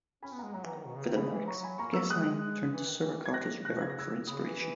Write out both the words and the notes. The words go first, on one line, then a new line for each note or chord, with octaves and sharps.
For the lyrics, Gesang turned to Surakarta's river for inspiration.
C#4 G#5 B5
B3
G#3 F#5 A#5
F#3 F#5 A#5
E3
D#3
B2
C#3
D#3
C#3 G#5 B5
E3
F#3 A#5 C#6
G#5 B5
A#3 A#5 C#6
B3 C#6 E6
A#3
G#3 D#6 F#6
E3
D#3
E3
D#3
G#6
F#6 A#6
B2 F#6 A#6
C#3 G#6
A#6
C#3 E6 G#6
C#3 B5 D#6
E3
E3